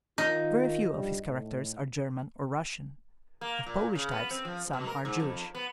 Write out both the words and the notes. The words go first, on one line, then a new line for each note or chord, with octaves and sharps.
Very few of his characters are German or Russian; of Polish types some are Jewish.
D#3 D#4 F4
G2 F3 G3
A2
A#3
A#2
C#3
B3
C4
F3
B2
A#4
G#2
F2
B3